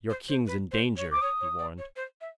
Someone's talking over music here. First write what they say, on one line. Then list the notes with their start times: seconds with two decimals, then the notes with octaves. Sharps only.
"Your king's in danger," he warned.
0.10 C5
0.28 C5
0.47 B4
0.72 C5
0.97 C#5
1.12 C5 D6
1.21 C#5 D#6
1.41 C#5
1.59 D5
1.78 C#5
1.96 C5
2.21 E5